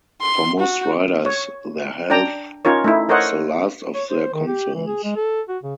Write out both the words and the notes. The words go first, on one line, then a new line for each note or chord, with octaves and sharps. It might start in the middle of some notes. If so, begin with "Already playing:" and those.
For most riders, their health is the last of their concerns.
C6
F#4
C#5
D4 D5 G5 A#5
C#4 D#4 F4 A#4 C#5
A3 D#4 E4
A4 A#4 C5 C#5 D#5 F#5
C#5
C5
D#3
G4
E3
G#4
G#3
A4
F#4
C#3